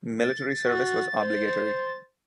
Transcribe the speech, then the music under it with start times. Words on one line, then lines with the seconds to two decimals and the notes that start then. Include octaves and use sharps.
Military service was obligatory.
0.20 A6
0.66 F#4
1.16 C5